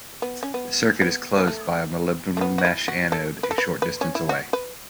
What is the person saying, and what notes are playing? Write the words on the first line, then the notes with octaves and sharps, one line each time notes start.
The circuit is closed by a molybdenum mesh anode a short distance away.
B3
C#4
B3
B3
B3
A3
A3
B3
F#4
E4
F#4
A4
B4
A4
B4
B4
C#4
E4
F#4
B4